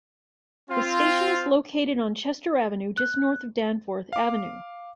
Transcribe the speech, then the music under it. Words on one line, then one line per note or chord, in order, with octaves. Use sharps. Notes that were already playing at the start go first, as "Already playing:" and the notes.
The station is located on Chester Avenue just north of Danforth Avenue.
C4 F4
F#6
F5 D6